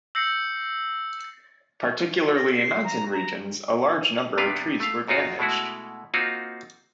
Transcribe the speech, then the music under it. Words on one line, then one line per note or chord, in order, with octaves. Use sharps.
Particularly in mountain regions, a large number of trees were damaged.
E6 G6 A#6 C7 C#7
A#6
C7
A#5
A#5
C3 G3 B3 D4 B4 F5
A3 F5
B1 F#2 D#4 F4 F#4
B2 G#3 A3 E4 F#4
A#3 C4 D#4 F4 F#4